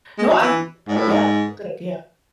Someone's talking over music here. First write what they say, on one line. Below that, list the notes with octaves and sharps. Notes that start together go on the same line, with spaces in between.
No. I'm with you there, yeah. That's a good idea.
G#3
F#3
E3
G#2
A2
G#2